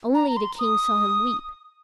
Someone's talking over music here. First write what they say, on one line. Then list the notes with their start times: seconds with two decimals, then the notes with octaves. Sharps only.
Only the King saw him weep.
0.14 A#5
0.30 A#5
0.36 C6
0.59 D#6